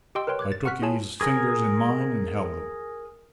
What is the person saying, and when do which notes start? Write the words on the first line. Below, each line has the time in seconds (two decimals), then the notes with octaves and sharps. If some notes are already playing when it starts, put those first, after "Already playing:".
I took Eve's fingers in mine and held them.
0.15 G4 D#5 G5 C6 E6
0.27 A#4 B4 C#5 G5 C6
0.39 D6 F#6 G#6
0.52 A6
0.65 F#5 C#6 F6 F#6 B6
0.82 E4 F4 G#4 C#5 G#5 A5
1.21 G#4 A#4 G#5